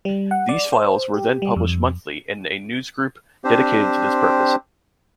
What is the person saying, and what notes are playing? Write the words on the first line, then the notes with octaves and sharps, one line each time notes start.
These files were then published monthly in a newsgroup dedicated to this purpose.
G3
F#5
D5
C5
G4
G3
F2
C4 D4 G4 C5